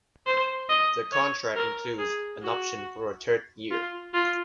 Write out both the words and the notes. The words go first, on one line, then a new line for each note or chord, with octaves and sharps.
The contract includes an option for a third year.
C5
D#5
C#5
A#4
G#4
F#4
F4
F4